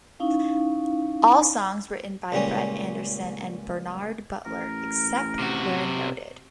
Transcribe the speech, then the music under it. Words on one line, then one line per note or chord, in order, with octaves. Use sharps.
All songs written by Brett Anderson and Bernard Butler except where noted.
C#4 D#4 E4 F5
C#2 A#2 G3 C#4
A1 A#4
C3 F#4